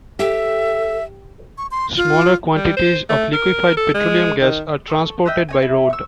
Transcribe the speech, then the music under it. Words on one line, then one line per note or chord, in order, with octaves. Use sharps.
Smaller quantities of liquefied petroleum gas are transported by road.
G4 A4 E5
C#6
C6
F4
G3
C5
A3
A#4
A4
G#3
D#3
A4 C#6
B4 D#5 E5 G5
C#5 D#5 G#5
E4
C#6 E6